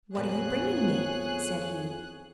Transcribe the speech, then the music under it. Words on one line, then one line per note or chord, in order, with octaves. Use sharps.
"What are you bringing me?" said he.
F2 A#2 B3 G#4 C#5 F#6